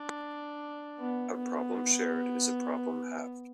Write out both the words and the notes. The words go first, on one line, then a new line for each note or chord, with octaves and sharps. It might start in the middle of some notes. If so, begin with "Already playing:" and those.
A problem shared is a problem halved.
Already playing: D4
B3
B3